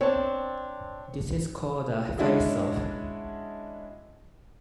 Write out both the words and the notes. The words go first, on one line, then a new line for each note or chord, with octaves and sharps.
This is called a "face-off".
C4 D4 C#5
G#3 C#4 D4 E4 F#4 G#4